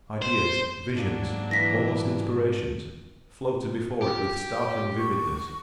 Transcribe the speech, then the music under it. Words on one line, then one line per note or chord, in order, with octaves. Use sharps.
Ideas, visions, almost inspirations, floated before it with startling vividness.
C5
G#2 F#3 A#3 D4
E3 A#6 B6
G4
C#5
C#6